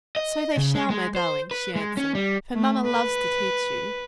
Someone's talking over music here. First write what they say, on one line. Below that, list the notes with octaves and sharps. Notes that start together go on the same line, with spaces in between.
"So they shall, my darlings," she answered, "for mamma loves to teach you."
D#5
C#3
G#3
G#3
C5
B4
G#3
C#4
G3
A3
B4